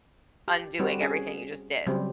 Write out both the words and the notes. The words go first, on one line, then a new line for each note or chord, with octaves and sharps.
undoing everything you just did.
G4
G3 C4 F#4
C#4 G#4
C#3 F#3 G3 C4